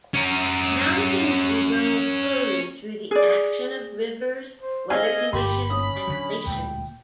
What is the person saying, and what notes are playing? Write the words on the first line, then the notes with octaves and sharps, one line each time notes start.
Mountains erode slowly through the action of rivers, weather conditions, and glaciers.
C#4 A#4
G#4 D5
C5
C4 G#4 D#5 F5 G#5
G1 G2 G4 B5 C6
C#4 D#6
D3 F#3
D1 A#2 G#3 G5